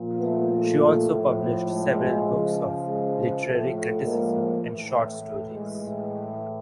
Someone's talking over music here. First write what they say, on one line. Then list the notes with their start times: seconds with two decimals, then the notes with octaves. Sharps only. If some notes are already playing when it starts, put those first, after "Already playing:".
She also published several books of literary criticism and short stories.
Already playing: A#2 F3
0.19 A3 B3
0.49 A3
1.08 A2 F3
1.67 G#3
2.27 C#3 F3
2.85 G#3
3.44 A2 F3 A3
3.74 A3
4.03 G#3 A#3
4.62 A2 E3 A3
5.21 A3
5.52 G#3
5.82 A2 E3